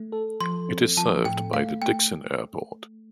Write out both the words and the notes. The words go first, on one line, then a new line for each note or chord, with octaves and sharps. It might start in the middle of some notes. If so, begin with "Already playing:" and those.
It is served by the Dikson Airport.
Already playing: A3
A4
F3 C6
C4
F3 A5
A2 G5
A3 F5
A3 G5